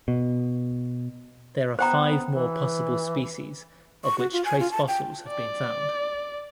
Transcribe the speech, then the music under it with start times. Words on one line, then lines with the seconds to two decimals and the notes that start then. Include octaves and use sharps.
There are five more possible species of which trace fossils have been found.
0.08 B2
1.79 B3 C5 G5 A#5
2.33 E3
4.04 C#6
4.18 F#4
4.32 F4
4.45 G#5
4.60 F4
4.71 A5
4.88 G5
5.29 D5